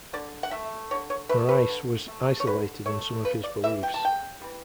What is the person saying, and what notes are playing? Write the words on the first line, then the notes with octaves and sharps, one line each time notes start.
Marais was isolated in some of his beliefs.
D3 D5
F#5
A3 E5
D3 C#5
C#5
A3 B4
B4
D3
A3
C#5
D3 B4
A3 C#5
C#3 B4
D5
E3 G3 E5
G5
A5
C#3 G5
E3 G3